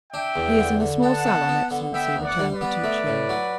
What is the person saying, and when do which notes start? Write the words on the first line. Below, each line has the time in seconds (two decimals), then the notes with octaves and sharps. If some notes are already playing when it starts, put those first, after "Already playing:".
"He is in the small salon, excellency," returned Bertuccio.
0.13 D4 E5 G5
0.36 E2
0.59 D3
0.80 D3
1.03 B3 F#5 A5
1.25 B3
1.48 B3
1.71 D3
1.94 B3 E5 G5
2.16 D2
2.24 D5 F#5
2.39 G3
2.54 B4 D5
2.61 B3
2.84 A3
3.07 A2
3.29 F#3